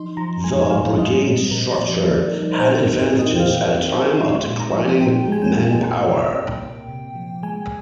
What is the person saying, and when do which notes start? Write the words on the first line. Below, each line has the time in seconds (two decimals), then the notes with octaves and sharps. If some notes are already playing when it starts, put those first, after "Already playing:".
The brigade structure had advantages at a time of declining manpower.
Already playing: F3 D#4 C6
0.17 F3 A#5
0.44 G#3 G#5
0.71 F3 F5
0.98 G3 D#5
1.24 A#2 C5
1.51 A#2 A#4
1.73 D5
1.78 A#2 C5
2.05 A#3
2.32 D#4
2.59 A#2 C5
2.78 A#4
2.86 C4
2.99 C5
3.12 D#4
3.19 D#5
3.36 G5
3.40 A#2 F5
3.66 C4
3.93 D#4
4.20 G#3 C6
4.47 A#2
4.60 A#5
4.74 F3
5.00 A#2 G5
5.28 G#3 G#5
5.42 G5
5.55 A#2
5.82 A#3
6.09 C3
6.35 C3
6.62 A#3
6.88 C3
7.15 F3
7.43 G#3 G#5